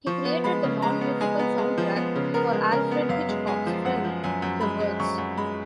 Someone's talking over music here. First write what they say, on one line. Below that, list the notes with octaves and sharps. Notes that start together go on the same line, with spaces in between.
He created the non-musical soundtrack for Alfred Hitchcock's film "The Birds".
F3 C#6
B3
G#3 B5
C#3
G#3 A#5
B3
G#3 G#5
B3
G#3
F3
B3
C#3
B3 A#4
G#3
C#3 A#4
B3
F#2 F5
G#3
G#3 G#5
F3
F#2 F#5
F3
F#2 G#5
F#2
G#3 B5
G#3
F#2 C#6
F#2
G#3 B5